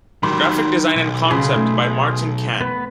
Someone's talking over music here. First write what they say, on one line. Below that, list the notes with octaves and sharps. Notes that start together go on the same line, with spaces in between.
Graphic design and concept by Martin Kann.
D#3 F#3 G4 B5 C6 D6
B1
C#3 G#4 B5 C6
A3
B3 B4